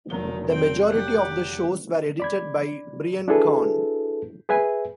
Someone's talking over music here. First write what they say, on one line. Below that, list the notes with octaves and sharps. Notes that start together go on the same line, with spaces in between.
The majority of the shows were edited by Brian Karn.
F1 D#3 F#3 G7
C4 G5
G4 F#5
D5 B5 G#6
D4 E4 F#4 G#4 A4 B4
G#4 B4 E5 G#5